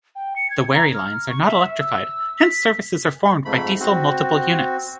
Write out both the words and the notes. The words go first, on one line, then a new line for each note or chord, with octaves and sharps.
The Wherry Lines are not electrified, hence services are formed by diesel multiple units.
G5
C#7
G#6
A#5
F6
C#6
E5
E6
B6
F2 G#2 A3 B5
C4 F#4